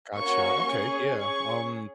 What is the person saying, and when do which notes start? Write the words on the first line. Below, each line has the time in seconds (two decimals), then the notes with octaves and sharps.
Gotcha, okay, yeah, um,
0.15 A#3 C#4 F#4 C#6
0.67 C#4 G#4
1.19 C#4 G#4 C#6